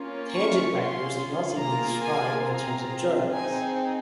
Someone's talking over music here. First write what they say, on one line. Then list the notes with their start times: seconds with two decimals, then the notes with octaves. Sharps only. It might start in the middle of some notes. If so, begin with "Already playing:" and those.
Tangent vectors can also be described in terms of germs.
Already playing: A#3 C#4 F4
0.30 C#6
0.73 C#4 F4 G#4 C6
1.59 A#3 F4 G#4 A#5
2.02 G#5
2.45 C4 F4 G#4 A#5
3.32 C4 D#4 G#4 G#5